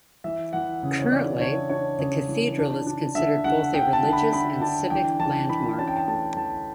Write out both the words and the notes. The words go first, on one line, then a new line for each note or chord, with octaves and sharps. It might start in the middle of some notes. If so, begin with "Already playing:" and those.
Currently, the cathedral is considered both a religious and civic landmark.
E3 E5
E3 F#5
C#3
C#5
E3 D5
D4 C#5
D4 C#5
C#3 C#5
E3
D4
D4
D3 E5
D3 F#5
D3 G5
A5
D3
B5
D3 B5
D4 A5
E3 G5
E3 A5
E3 B5
C#4 A5
G5
A5
A3 A5
E3 A5